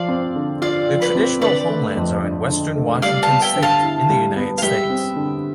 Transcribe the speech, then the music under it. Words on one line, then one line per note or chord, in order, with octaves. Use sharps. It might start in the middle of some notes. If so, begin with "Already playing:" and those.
Their traditional homelands are in western Washington state in the United States.
Already playing: F3 D5 F5
C4
D3
F4 D5 F5
F3
B4 D5
C4
D3 B4 D5
A3
F2
D4
D3
A3
G3 D5 F5
F5 A5
B3
E5 G5
D3
F5 A5
E4
G3
B3
F5
G3 E5 G5
C4
D3